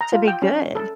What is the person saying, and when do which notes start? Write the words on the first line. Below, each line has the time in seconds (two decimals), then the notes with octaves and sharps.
to be good,
0.01 A#5
0.12 F4
0.28 G5
0.42 C#4
0.75 A4